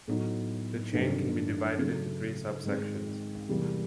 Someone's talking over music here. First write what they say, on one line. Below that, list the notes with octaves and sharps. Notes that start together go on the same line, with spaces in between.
The chain can be divided into three subsections.
A2 F#3 B3 D#4
G2 D#3 F#3 A3 D4
C#3 F#3 A3
G#2 D#3 G#3 C4
E2 C3 E3 G3 A#3